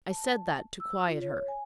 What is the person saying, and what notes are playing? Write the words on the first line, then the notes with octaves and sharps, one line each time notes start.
I said that to quiet her.'
A5
E6
F4
C#5
G#5